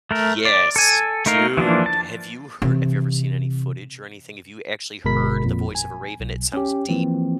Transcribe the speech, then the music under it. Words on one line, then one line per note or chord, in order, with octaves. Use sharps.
Yes, dude, have you hear have you ever seen any footage or anything? Have you actually heard the voice of a raven? It sounds deep,
A3 A#4
D5
A4 G#5
A3 D#4 A#4 F5
E3 F3 A#3 D4
A5
C3 E3
G1 B2 G#3 A#4 B5 B6
F2 A#2
G#5
B1
C#4 G4
E3 F3 A#3 C4